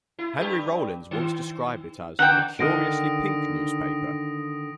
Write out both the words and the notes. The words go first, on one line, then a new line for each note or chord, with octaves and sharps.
Henry Rollins once described it as "the curiously pink newspaper".
E4
G2 G4
D#3
C#3 F#5 G5
D3 D#3 D#6 A#6 D7